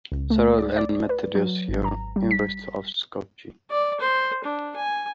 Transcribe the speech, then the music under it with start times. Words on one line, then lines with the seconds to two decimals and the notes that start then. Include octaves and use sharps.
Cyril and Methodius University of Skopje.
0.12 C#2
0.30 A3
0.58 D5
0.76 D5
1.09 B4
1.35 F#3
1.69 G#1
1.84 A#5
2.16 G3
2.31 B6
3.70 D5
3.99 C5
4.44 D4
4.76 G#5